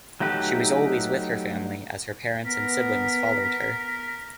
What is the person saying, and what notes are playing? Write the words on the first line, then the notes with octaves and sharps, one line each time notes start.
She was always with her family as her parents and siblings followed her.
F#3 A3 D#4 G4 B4
B3 A#4 B6